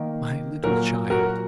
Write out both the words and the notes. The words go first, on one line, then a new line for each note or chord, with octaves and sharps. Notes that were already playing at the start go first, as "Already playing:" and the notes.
"My little child!"
Already playing: D#3 A#3
A#2 F#3 A#3 F#4 A#4
F#4 A#4